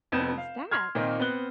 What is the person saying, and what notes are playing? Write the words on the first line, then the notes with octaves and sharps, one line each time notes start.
What is that?
F1 F2 B3 G6 E7
F5
C6 F6 G#6
A#2 D#3 A#3 C4 D#4
B3 C4 F#6 G7